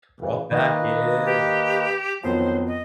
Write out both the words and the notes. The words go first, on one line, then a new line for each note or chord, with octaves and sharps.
brought back in, and
C#3 E3
D#3 A#3 B4 D#5
G4
F2 D#3 F#3 B3 C4 C5
D#5